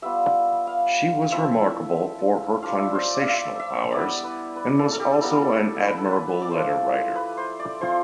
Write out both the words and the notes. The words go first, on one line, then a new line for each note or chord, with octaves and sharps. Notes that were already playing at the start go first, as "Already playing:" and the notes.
She was remarkable for her conversational powers, and was also an admirable letter-writer.
G3 B3 F4 E5
F5
F3 C4 E4 E5
G3 D4 F4 F5
E5
C5
D5
F5
E5
E5
G3 B3 E4 D5
B4
B4
A4
A4
G4
G3 B3 E4 A4
B4
A4
B4
D5
F3 A3 E4 C5
B4
C5
D5
F3 C4 F4 C5